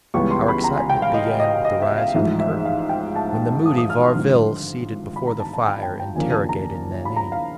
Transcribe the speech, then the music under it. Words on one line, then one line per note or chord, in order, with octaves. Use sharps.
Our excitement began with the rise of the curtain, when the moody Varville, seated before the fire, interrogated Nanine.
C#2 C#3 E3 G3 B3 C#6
C6
B5
A#5
G#5
G5
F5
D#5
D#5
D#5
E5
F5
A1 G#2 F3 E5
E5
F5
G5
A5
D#6
D#6
F6
C6
G#1 G2 D3 F3
B5
A#5
A5
A5
G5
G5
G5
D#2 C#3 F3 A#3 D4 G#5
A5
A#5
B5
A#5
F5